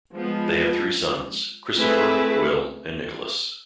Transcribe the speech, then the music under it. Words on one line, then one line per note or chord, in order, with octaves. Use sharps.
They have three sons: Christopher, Will, and Nicholas.
F3 G#3 B3
A3 C4 E4 G#4 B4